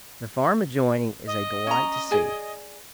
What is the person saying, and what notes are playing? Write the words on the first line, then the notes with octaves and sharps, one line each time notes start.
The farm adjoining is a delight to see.
D#5
C#4 A#5
G#4 D5 G#5